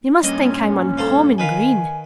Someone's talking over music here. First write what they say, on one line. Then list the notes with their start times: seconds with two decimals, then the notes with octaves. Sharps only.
"They must think I'm uncommon green."
0.24 G2 A#2 C#4 D#5
0.97 A4 C5 F5
1.38 D#3 B4 F5 G#5